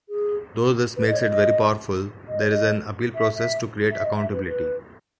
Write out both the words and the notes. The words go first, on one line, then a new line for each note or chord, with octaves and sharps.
Though this makes it very powerful, there is an appeal process to create accountability.
G#4
B4
D#5
C#5
D#5
D#5
D#5
C#5
D#5
E5
E5
E5
D#5
E5
B4
B4